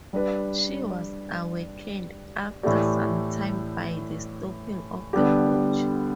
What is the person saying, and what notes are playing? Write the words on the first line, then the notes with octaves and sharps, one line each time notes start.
She was awakened, after some time, by the stopping of the coach.
G3 D4 B4 D5
A2 E3 A3 G4 D5
D3 G3 B3 D4 G4